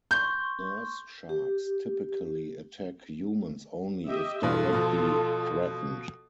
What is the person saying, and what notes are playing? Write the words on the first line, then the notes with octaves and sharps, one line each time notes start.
Nurse sharks typically attack humans only if directly threatened.
C6 C#6 G6
G4
G4 D#5 E5
G2 B2 E3 F4 A4
B2 F3